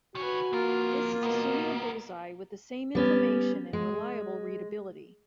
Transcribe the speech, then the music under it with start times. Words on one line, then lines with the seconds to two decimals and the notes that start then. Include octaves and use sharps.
This is assuming a bull's eye with the same information and reliable readability.
0.15 D#3 F#4 B4 C#5 G#5
0.53 F2 A#3 F4 A#4
1.23 B2 B3 A#4
2.95 G3 B3 C#4
3.73 G#3